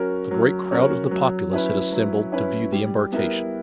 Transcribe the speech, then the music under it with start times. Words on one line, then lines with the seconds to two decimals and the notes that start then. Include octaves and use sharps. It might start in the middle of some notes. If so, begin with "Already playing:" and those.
A great crowd of the populace had assembled to view the embarkation.
Already playing: F#3 C#4 F#4 A#4
0.31 F#3
0.71 C#4 F#4 A#4
1.11 F#3
1.52 C#4 E4 B4
1.92 F#3
2.32 C#4 E4 B4
2.72 G3
3.12 B3 E4 A#4